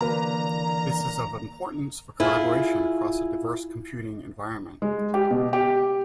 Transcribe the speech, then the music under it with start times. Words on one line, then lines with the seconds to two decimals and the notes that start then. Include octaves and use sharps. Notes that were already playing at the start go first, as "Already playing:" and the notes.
This is of importance for collaboration across a diverse computing environment.
0.01 D3 E3 A#3 A#4 B4 D5 A#5
2.20 E4 F4 G#4
4.82 G#3
5.14 G4
5.31 B2
5.53 G4